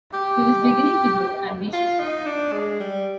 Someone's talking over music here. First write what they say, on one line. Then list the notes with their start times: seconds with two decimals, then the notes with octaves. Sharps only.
He was beginning to grow ambitious.
0.13 G4
1.73 F4
2.00 D#4
2.26 D4
2.52 G#3
2.80 G3